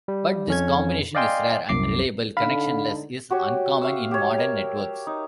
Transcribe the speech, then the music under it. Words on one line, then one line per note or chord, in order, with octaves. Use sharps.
But this combination is rare, and reliable-connectionless is uncommon in modern networks.
G3
F2 C#4 G#6
D5 D#5 F5 G5 G#5 C6
C2 F#2 D6 C7
D3 D#4 F5 B5
F#4 G4 C#5
E5 F5 C#6
G4 C#5
A#4
D#4